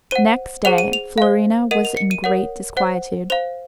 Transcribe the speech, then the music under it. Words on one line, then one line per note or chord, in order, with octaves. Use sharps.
Next day, Florina was in great disquietude.
C5 F#5 D#7
G#4 C5 F#5 F7
D#7
F7
C5 F5
A#4 D#5 F#5 D#7
F7
C#7
D#7
A#4 C#5 F#5
C5 F#5
C5 F5 F7